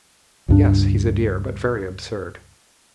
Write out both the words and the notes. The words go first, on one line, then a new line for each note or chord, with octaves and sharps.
"Yes, he's a dear, but very absurd."
C#2 G2 D4